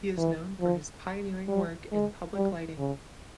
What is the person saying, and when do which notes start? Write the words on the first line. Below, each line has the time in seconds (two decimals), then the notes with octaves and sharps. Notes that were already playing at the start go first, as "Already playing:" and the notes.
He is known for his pioneering work in public lighting.
0.18 E3
0.61 F3
1.48 G3
1.92 G#3
2.35 G3
2.78 C#3